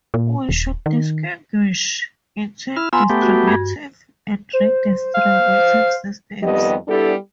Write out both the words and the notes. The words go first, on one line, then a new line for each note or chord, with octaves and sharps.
We should distinguish between distributive and redistributive systems.
A#2
D#1
D#3
E4 F6
B3 F4 G#5 A#5 C6 E6
A3 B3 G4
F#4
G2 G#6
C5
C5 F5
F2 D#3 G3 B3 G4 D#5
G3 B3 D4 E4 G4 A4